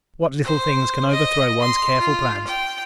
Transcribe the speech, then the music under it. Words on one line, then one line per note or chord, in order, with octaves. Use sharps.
What little things can overthrow one's careful plans!
C5
D#5
C6
F4
G5